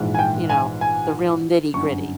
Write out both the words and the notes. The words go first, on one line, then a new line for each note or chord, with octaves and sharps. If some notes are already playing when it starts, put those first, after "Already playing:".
you know, the real nitty-gritty?
Already playing: A#1 G#2 E3
G#5
G5
G#5
G#5
G1 F#2 D3 C#6